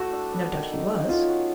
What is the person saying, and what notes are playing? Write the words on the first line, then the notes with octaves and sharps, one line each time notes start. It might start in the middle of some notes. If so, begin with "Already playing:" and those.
"No doubt he was."
Already playing: A2 A3 F#4
D4
B3
D#3
D#3
C#4
F#3 F4
F#4